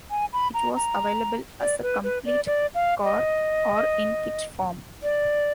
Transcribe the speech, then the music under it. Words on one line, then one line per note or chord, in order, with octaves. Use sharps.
It was available as a complete car or in kit form.
G#5
B5
A#5
A#5
D5
B4
B4
D5
D5
F5
D#5
D5